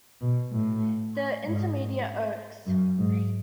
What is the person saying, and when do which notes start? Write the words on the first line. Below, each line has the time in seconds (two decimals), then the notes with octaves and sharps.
The intermediate oaks.
0.21 B2
0.52 A2
1.44 G#2
2.67 F#2
2.98 G#2